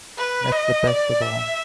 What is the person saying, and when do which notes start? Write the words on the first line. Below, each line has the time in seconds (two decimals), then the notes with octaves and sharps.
That's the best of all.
0.18 B4
0.52 D#5
0.87 D5
1.21 E5